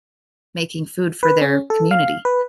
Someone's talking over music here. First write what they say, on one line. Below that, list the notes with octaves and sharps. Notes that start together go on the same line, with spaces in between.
making food for their community.
B4
C#4
A4
F5
B4